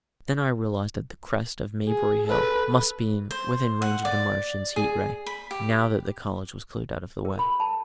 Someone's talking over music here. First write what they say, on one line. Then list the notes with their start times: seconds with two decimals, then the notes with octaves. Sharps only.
Then I realised that the crest of Maybury Hill must be within range of the Martians' Heat-Ray now that the college was cleared out of the way.
1.88 G#4
2.27 A4 B4
3.31 C5
3.82 F#5
4.05 D5
4.76 G#4
5.26 B5
5.51 G4
7.25 A#4
7.39 B5
7.60 A5